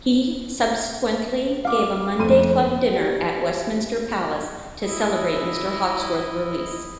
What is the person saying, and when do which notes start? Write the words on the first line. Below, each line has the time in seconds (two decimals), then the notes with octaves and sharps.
He subsequently gave a Monday Club dinner at Westminster Palace to celebrate Mr.Hawksworth's release.
1.65 F5 D6
2.19 F2 A3 C6 D#7
2.92 G4 D5
4.84 E4 D#5